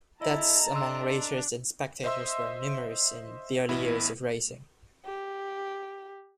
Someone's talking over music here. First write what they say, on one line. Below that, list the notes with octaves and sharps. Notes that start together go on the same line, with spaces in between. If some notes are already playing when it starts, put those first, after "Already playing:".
Deaths among racers and spectators were numerous in the early years of racing.
E4 A4 D5 D#5 A5 A#5
D4 C6 E6
C5 D#5 E5 C6 E6
A1 B3 E4
G4